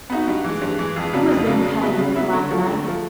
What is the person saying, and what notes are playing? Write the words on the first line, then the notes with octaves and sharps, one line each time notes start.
The sixth, "Who has been cutting with my knife?"
B3 D#4 F#4
G2
E3 G#3
G2
E3 G#3
F2
C#3 F#3 B3 D4
F2
C#3 F#3 B3 D4
C#3
F#3 B3 E4
C#3
F#3 B3 E4
D3
F3 A3
D3
F3 A3